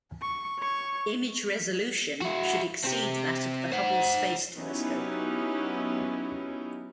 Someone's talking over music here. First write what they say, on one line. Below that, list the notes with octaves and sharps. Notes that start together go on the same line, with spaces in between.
Image resolution should exceed that of the Hubble Space Telescope.
C#6
C#5 C#6
E4 F#4
C4 G4
C5 F#5
F#3 B3 C#4 D#4 E4 G4